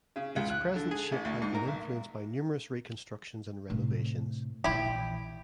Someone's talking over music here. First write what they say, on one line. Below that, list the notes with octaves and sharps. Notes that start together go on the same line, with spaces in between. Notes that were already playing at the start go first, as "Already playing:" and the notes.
Its present shape has been influenced by numerous reconstructions and renovations.
C#3
C#2
F#6
D3
G#4
A1
D2
G#2
A#4
B1
A2 C3
A#1 E3 E4 G4